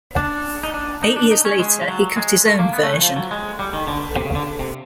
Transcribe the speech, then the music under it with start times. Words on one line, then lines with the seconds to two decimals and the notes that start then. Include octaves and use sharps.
Eight years later, he cut his own version.
0.16 D4
0.63 D#4
0.74 D4
1.03 D#4
1.16 D4
1.31 D#4
1.45 C#4
1.59 G#3
1.81 F3
1.88 F#3
2.16 G#3
2.45 A3
2.59 A#3
2.73 B3
2.83 A3
2.93 E3
3.02 F3
3.16 F#3
3.31 G#3
3.59 G3
3.73 D#3
3.87 D3
4.16 C3
4.25 C#3
4.35 D3
4.59 C3